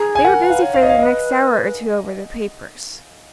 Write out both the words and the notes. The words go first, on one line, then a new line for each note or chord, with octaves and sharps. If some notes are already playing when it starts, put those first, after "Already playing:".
They were busy for the next hour or two over the papers.
Already playing: G#4 A#5
G#5
A#4 F#5
B4
F5
C#5
F5
C#5 D#5
F5
B4 D#5